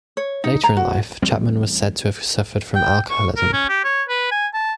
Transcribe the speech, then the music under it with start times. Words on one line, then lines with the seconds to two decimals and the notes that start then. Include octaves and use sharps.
Later in life, Chapman was said to have suffered from alcoholism.
0.17 C#5
0.44 D#4
0.64 A#5
0.77 F#4
1.22 A1 E2 G3 C4
2.75 G5
3.10 C#6
3.37 A#4
3.53 C#4
3.69 G4
3.84 C#5
4.09 B4
4.31 G#5
4.54 A5